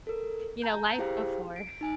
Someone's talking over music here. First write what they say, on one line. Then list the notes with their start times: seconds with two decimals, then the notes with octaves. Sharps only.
you know, life before.
0.07 A4 A#4
0.62 A5 A#5 G6
0.98 E4 G4 G#4 C5 F5 G5
1.56 D7
1.81 D#4 G#5 D7